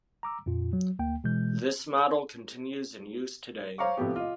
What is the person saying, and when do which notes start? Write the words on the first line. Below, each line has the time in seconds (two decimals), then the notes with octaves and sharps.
This model continues in use today.
0.23 A#5 D6 E6
0.46 F2 A#2 F4
0.73 F#3
0.99 D2 A#3 G5
1.24 B2 E3 G#3 G6
3.78 C5 C#5 F5 A#5 C#6 D6
3.97 A2 C3 F3 B3 G4
4.16 F4 D#5